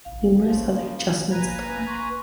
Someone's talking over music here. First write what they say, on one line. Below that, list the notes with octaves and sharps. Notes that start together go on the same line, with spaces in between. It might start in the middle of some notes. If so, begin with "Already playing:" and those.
Numerous other adjustments apply.
F5
C#3 F3 A#3
B4 G#5 A#5
C6 C#6